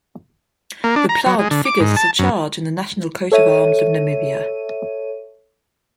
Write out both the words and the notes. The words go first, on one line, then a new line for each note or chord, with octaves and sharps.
The plant figures as a charge in the national coat of arms of Namibia.
A#3
D4
A#5
F#3
G#3
D3
D6
G#2
A5
F#2
A4 C#5 E5 D#7